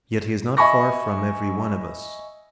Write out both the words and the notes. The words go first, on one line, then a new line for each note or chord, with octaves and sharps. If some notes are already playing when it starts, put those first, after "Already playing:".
Yet He is not far from every one of us.
D#5 E5 G#5 B5 C#6 A#6